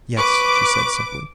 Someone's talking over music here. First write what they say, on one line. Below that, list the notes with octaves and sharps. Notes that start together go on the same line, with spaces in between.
"Yes," she said simply.
B4 C#6 D6